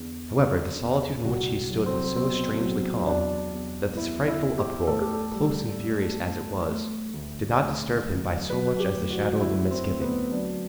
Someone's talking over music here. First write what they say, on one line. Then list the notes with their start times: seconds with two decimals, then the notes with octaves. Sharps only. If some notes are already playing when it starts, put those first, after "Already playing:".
However, the solitude in which he stood was so strangely calm, that this frightful uproar, close and furious as it was, did not disturb him by so much as the shadow of a misgiving.
Already playing: E2 D3
0.35 D3
0.80 E2
1.25 C2 F#4
1.70 F#3
1.86 C4
2.16 B2 C4
2.61 F#3
3.06 E2 D4
3.51 E2
3.97 E2 E4
4.27 E4
4.43 E2
4.58 G4
4.87 A2 A4
5.01 G4
5.13 A4
5.33 G3
5.79 A2
6.23 A2
6.69 A3
7.14 D2
7.60 D2
8.04 F#3
8.50 F#3 B4
8.80 G4
8.95 D2
9.10 F#4
9.40 D3 E4
9.71 C4
9.86 D2
10.01 B3
10.31 F#3 D4